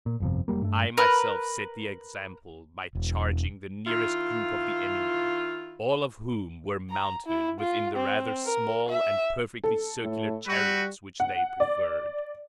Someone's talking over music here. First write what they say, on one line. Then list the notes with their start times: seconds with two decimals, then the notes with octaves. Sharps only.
I myself set the example by charging the nearest group of the enemy, all of whom were mounted within the rather small and perfectly circular chariots which they preferred.
0.06 A#2
0.20 G1 F2 C3
0.48 F1 F#3 G3 A#3
0.62 G2 A3
0.97 A#4 B4
2.95 E1
3.87 D#3 E4 F4
6.90 A#5
7.27 E4
7.60 F4
7.97 C4
8.45 A#4
8.89 E5
9.64 A4
10.01 A2
10.47 G3 C4 F#4 B4
11.20 F#5
11.60 D5